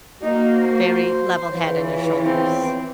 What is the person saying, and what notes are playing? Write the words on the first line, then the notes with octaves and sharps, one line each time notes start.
very level head on your shoulders.
A#3 D#4 F#4
C5
E2 E3 F4 C#5
C4